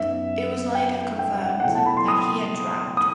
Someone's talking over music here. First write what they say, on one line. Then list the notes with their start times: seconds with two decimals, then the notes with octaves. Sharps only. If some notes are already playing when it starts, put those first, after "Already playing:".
It was later confirmed that he had drowned.
Already playing: F#2 F#3 B3 D#4 E5
0.75 G5
1.19 G5
1.36 G5
1.42 F#5
1.60 F#5
1.64 B2 F#3 A3 E4 G5
1.75 A5
1.86 B5
1.97 C6
2.08 D#6
2.97 D#6